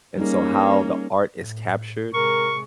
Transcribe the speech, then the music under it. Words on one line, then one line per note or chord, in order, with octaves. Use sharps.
and so how the art is captured,
G3 A#3 C#4 D#4 G#4
A2
C3 G#3 A#4 C#6